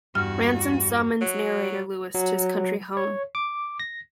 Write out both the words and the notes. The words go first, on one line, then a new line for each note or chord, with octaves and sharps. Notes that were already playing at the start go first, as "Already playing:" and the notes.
Ransom summons narrator-Lewis to his country home.
E2 G2 F#4 F6
F#3
F#3
C#5
D6
A#6